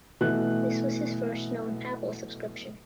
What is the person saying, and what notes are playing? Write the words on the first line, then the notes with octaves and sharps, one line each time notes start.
This was his first known papal subscription.
B2 E3 A3 F#6